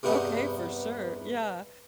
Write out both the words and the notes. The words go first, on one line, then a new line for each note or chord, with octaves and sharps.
Okay, for sure, yeah.
E2 G2 C3 B3 D#4